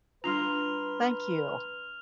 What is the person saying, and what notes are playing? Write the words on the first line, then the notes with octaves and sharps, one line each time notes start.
Thank you.
G3 D4 F4 B4 A#5 C6 F6 F7